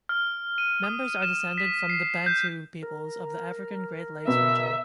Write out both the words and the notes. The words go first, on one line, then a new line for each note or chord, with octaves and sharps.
Members are descended from the Bantu peoples of the African Great Lakes region.
F6
D#7
D#6
E7
B6
C7
G6
A#4
B2 E5